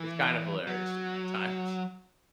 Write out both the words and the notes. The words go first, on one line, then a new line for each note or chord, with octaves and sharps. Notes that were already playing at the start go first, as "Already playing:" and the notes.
It's kind of hilarious to me at times.
Already playing: E3
F#3